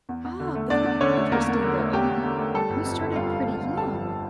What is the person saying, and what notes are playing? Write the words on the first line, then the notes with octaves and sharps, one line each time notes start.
Ah, but this is interesting, though. I mean, you started pretty young,
E2
E2
D3
A3
E2 D4 D5
E2
D3 C#4 C#5
A3
E2 A#3 A#4
E2
D3
A3
E2 G4
E2
D3
A3
G3 A4
G1
F2
D3
G3 F4 F5
G1
F2
D3
G3 A4 A5
G1